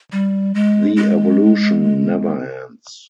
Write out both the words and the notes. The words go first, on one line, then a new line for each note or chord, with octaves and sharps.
The evolution never ends.
G3
G#3
G#3